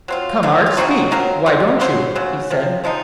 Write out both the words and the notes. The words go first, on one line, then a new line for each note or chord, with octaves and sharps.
"Come, Art, speak, why don't you?" he said.
F#3 C4 F4
C#3 F#3 C4 D#4
F4
C#3 F#3 C4 D#4 F#4
F#3 C4 F4 A#4
F#3 C4 F4
C#3 F#3 C5
C#3 F#3
C3 F3
C3 F3 G#3 D#4